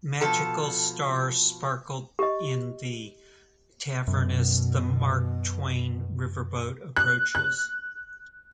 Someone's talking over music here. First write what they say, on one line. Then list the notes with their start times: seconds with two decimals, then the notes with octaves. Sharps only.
Magical stars sparkle in the tavern as the "Mark Twain" Riverboat approaches.
0.21 B2 F3 A4 A5
2.19 G4 D#5
4.08 F#2 B2
6.97 F#6
7.35 F#6